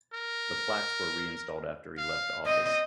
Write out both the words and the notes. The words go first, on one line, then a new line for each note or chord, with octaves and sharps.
The plaques were reinstalled after he left office.
A#4
F5
C4 D#5